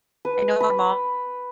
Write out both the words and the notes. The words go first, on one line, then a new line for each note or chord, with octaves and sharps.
know my mom,
B4
B5